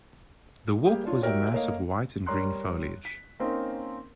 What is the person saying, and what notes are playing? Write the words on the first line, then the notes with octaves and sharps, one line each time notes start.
The walk was a mass of white and green foliage.
G3 A#3 G4 G#4
D4 F4 C#5
F#4 G4 A#4 D5 E5 G5
A3 A#3 A#4 C#5 D#5 F5
G3 A#4 C#5 A#5 C6 F#6
B6
A#3 C4 C#4 D#4 A#4